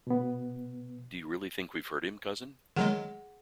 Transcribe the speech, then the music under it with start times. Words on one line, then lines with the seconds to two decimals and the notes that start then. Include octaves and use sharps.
Do you really think we've hurt him, cousin?
0.07 B2 B3
2.76 D#3 F#3 G#3 G#4 F#5